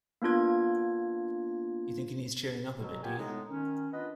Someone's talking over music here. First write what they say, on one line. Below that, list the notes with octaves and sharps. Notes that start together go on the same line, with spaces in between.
You think he needs cheering up a bit, do you?
A#3 B3 D4 F4 G#6
B2 F#3
A#3 B3 F4 G4 G5 G#5
A2 G#3 B3 D#4
D#3 C#4
B3 D4 F4 B4 D#5